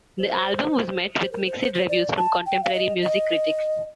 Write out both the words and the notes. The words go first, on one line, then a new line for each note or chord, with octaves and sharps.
The album was met with mixed reviews from contemporary music critics.
C5
C5
A#4
C5
C5
C5
D5
A5
G5
F5
D#5
D#5